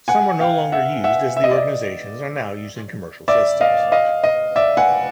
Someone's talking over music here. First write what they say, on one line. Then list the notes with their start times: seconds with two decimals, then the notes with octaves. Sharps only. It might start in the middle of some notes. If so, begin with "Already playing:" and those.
Some are no longer used as the organizations are now using commercial systems.
0.08 F#5 G#5
0.40 F5 G5
0.72 E5 F#5
1.04 E5 F#5
1.37 E5
1.44 D#5
1.51 D5
1.58 D#5
3.28 D5 E5
3.61 D#5 F5
3.92 D#5 F5
4.24 D#5
4.56 D5 E5
4.77 F#5 G#5